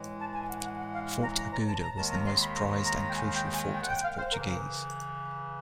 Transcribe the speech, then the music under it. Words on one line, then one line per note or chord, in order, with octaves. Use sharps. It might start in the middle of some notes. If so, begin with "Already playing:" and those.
Fort Aguada was the most prized and crucial fort of Portuguese.
Already playing: A2 E3 G#3
A5
G#5
F#5
F#5
F#5
F5
A#5
A#5
A#5
A5
A#5
D#2 D#3 G#3 A5
A#5
C6
B5
A#5
A#5
G5
G#5
G5
G#5
G5
F#5
G5
F5
C5
C#3 E3 A#4